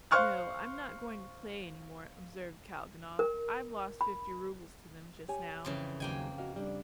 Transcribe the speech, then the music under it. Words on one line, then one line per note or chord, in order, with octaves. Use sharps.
"No, I'm not going to play any more," observed Kalganov, "I've lost fifty roubles to them just now."
C5 F5 C#6 F6 F#6
A#4
B5
G4 C#5 G#5
F2 C#3 E3
D#2 C#3 F#3 A#3 G5 G#5
F#4 D#5 F5
G3 D4